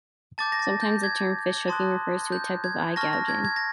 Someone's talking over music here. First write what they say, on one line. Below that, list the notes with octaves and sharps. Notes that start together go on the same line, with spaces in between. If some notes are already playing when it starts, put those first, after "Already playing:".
Sometimes, the term fish hooking refers to a type of eye gouging.
A5 D6 G6 A6
A#6
A6
G6
G#6
A5 C6 D#6 F#6
G6
G#6
A5 C#6 F6 A#6
A#6
G#6
G#6
A#6